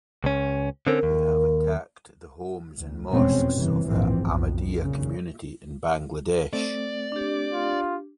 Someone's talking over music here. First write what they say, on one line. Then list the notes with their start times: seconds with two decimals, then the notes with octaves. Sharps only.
They have attacked the homes and mosques of the Ahmadiyya community in Bangladesh.
0.24 C#2 C#4
0.87 D3 C4 C#4 A#4
1.03 D#2
2.77 D2
3.10 F1 E2 B2 G#3 C4 C#4
3.53 G1 C3 E3
3.87 A#1 F2 G#2 E3 F3 C4
4.19 F#1 B1 F2
4.81 D2 A#2 C#3
6.53 A3 C4 D5
7.12 D4 G4
7.53 F4